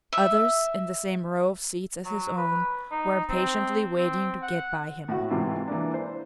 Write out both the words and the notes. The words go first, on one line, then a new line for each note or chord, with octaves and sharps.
Others, in the same row of seats as his own, were impatiently waiting to get by him.
E5
F#3
B4
D#4
C4
C4
F#5
A2 F#4
G#2 C3 E3 F4 G4
E3 A#3 D4
C5